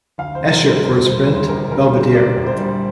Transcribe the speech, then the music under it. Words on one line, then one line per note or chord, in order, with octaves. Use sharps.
Escher for his print "Belvedere".
D2 F5
C5
C3
A#4
G3
C5
E1 A#4
G3 C5
D2 C5
A#1 A#4
G3 A#4
A#3 C5
A#3 D5
A#1
C5
G3